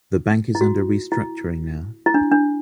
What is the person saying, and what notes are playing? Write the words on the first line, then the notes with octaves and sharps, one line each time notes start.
The bank is under restructuring now.
E4
F#4
E4
E4
D4
D4